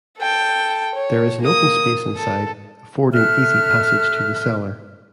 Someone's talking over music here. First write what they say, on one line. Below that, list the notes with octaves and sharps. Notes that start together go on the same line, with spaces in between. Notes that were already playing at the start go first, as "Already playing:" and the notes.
There is an open space inside affording easy passage to the cellar.
A4 G5
C#5
A#3 D#6
A4
A4 E5 F6 F#6